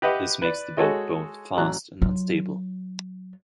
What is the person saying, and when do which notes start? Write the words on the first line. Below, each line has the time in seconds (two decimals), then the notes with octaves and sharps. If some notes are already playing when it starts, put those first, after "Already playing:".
This makes the boat both fast and unstable.
0.02 G4 B4 D#5 E5 F#5
0.42 B4 D5
0.77 G#3 F#4 G#4 A4 C#5 D#5
1.57 A1 F#3 F#6
2.02 F#3 F4